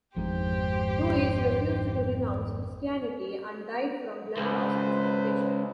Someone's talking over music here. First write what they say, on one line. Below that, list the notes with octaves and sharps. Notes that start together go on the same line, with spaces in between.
Ruiz refused to renounce Christianity and died from blood loss and suffocation.
G#1 F2 G#2 G4 C5
G#1 C#2 B4 C5